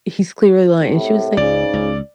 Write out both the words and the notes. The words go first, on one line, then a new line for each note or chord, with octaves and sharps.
he's clearly lying. And she was like,
C2 A2
C#2 G#2 C#3 D5
C#2